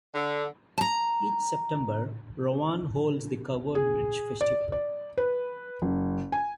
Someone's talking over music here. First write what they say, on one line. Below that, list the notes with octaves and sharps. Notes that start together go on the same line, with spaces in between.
Each September, Roann holds the Covered Bridge Festival.
D3
A5 A#5
G#4
D5
D5
B4
F#1
G#5